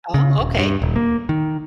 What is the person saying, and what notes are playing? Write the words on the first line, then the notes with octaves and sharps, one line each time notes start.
Oh, okay.
C#3
D#1
G2
D#1
A#3
D#3